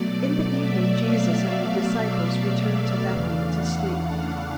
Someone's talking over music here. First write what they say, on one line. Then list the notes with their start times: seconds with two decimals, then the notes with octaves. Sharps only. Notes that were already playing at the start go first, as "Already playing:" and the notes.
In the evening, Jesus and the disciples returned to Bethany to sleep.
Already playing: B2 F#3 A3 D5
0.56 E5
0.98 F5
1.40 E5
3.08 E2 C#3 E3 A3 D4 F5
3.51 F#5
3.92 F5